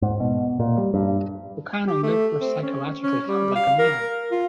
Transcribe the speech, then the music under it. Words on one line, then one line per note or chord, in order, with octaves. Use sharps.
O'Connell never psychologically felt like a man.
G#2
B2
A#2
G3
G2
G4
A3
C4
C#4
C#4
G3
F5
A#4
F4